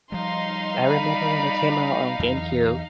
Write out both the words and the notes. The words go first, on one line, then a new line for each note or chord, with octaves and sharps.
I remember when it came out on GameCube.
F3 G3 D#4 F5 C6
D5 B5
E2 E3 F#3